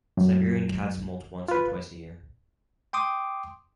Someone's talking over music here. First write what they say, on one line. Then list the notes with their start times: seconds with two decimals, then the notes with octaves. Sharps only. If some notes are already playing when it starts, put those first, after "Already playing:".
Siberian cats moult once or twice a year.
0.17 F#2
1.48 F4 B4
2.93 G5 C6 D6 D#6